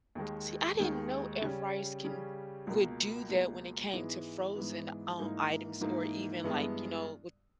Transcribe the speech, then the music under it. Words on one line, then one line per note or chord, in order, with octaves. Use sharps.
See, I didn't know air fryers can would do that when it came to frozen, um, items or even, like, you know, with
D#2 D#3 G#3
D#2 D#3 G#3
C#3 G3 C#4
C#3 G3 C#4
C#2 B2 A#3
C#2 B2 A#3
G#2 E3 G#3 B3
G#2 E3 G#3 B3
G#2 E3 A#3 D#4
G#2 E3 A#3 D#4
G2 E3 G#3 B3 E4